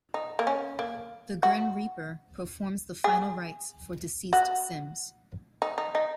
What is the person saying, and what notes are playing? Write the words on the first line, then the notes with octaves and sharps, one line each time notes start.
The Grim Reaper performs the final rites for deceased Sims.
D#4
A#3
C#4
A#3
F#4
G#4
F#4
D#4
D#4
D#4